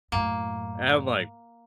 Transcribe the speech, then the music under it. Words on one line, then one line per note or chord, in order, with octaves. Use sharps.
And, I'm like,
F#2 A2 A#3